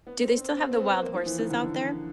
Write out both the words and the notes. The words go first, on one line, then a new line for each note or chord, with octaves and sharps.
do they still have the wild horses out there?
B3
C4
C4
C4
C4
B3
A#3
F3
E3
D#3
D3